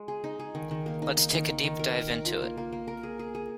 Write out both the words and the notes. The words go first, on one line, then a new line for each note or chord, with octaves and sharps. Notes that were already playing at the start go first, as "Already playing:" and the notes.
Let's take a deep dive into it.
Already playing: G#3
G#4
D#4
G#4
D#3
D#3
A#3
D#4
D#4
D#3
D#3
D#3
A#4
A#4
A#4
F4
A#3
A#3
A#3
A#4
G#4
G#4
G#4